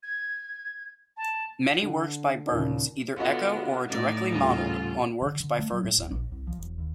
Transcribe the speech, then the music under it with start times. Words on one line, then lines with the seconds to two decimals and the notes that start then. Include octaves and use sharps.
Many works by Burns either echo or are directly modelled on works by Fergusson.
0.03 G#6
1.17 A5
1.82 D3
2.50 D#2 A#2 C#3
3.17 D3 B3 F4 F#4 D#5
3.89 A2 D#4 D5
4.31 D#1 C#3 F4 A4
5.22 D3
5.40 D3
5.59 A3
5.72 F#3
5.84 A2
5.98 D1
6.11 A#1
6.32 C2
6.47 F3
6.59 E1
6.78 D#2